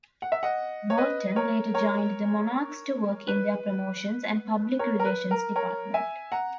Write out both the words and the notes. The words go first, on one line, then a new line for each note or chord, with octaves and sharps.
Bolton later joined the Monarchs to work in their promotions and public relations department.
F#5
E5
D#5 F#5
C#5
B4 D#5
A#4 C#5
A#4 C#5
B4
A#4 C#5
A#4
B4
A#4
A#4 C#5
E5 G#5
F#5 A#5